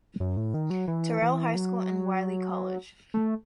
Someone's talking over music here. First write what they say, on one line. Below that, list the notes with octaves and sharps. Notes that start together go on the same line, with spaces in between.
Terrell High School and Wiley College.
F#2
A2
D#3
F#3
E3
E3
F#3
A3